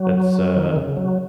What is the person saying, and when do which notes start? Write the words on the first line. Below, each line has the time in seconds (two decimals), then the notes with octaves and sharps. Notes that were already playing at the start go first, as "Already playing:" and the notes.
that's uh,
Already playing: F#3
0.56 D#3
0.76 C#3
0.97 F#3